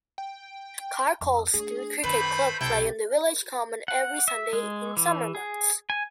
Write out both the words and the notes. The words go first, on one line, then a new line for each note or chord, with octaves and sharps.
Car Colston Cricket Club play on the village common every Sunday in summer months.
G5
F2
A3 D4 G#4
F#2 D#3 A3 B4 C5 B5 G6
B1 C3 C4 E4 A4 G5
F#5
E5
G#3
E3
G#4
G#5